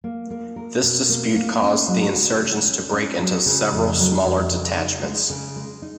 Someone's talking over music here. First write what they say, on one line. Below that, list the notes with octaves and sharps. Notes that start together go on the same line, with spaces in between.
This dispute caused the insurgents to break into several smaller detachments.
A#3
A#3
A#4
B2
A#3
A#3
C#4
F#3
C#3
C#4
C#4
C#4
F#3
C#3
F2
F#3
F2
C#3
D#4
G#3
C#3
G#3
D#4